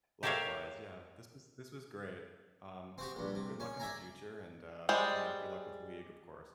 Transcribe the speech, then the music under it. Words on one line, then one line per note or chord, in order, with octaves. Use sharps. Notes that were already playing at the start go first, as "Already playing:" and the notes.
Likewise, yeah. This was this was great, um, good luck in the future, and, uh, you know, good luck with League, of course.
G4 A4 A#4 C#5 E5 F5
C4 F#4 G4
A#1 G2
C3
C#4
D5 E5 G#5 A#5
G3 G#3 C5